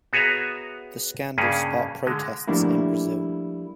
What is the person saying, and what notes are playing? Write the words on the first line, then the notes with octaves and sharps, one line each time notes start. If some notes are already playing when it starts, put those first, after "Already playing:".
The scandal sparked protests in Brazil.
B3 F#4 G#4 C#5 E5 A#5
G2 C#3 A#3 C#4 G#4
D3 G#3
F3 G3 A3 A#3 D4 E4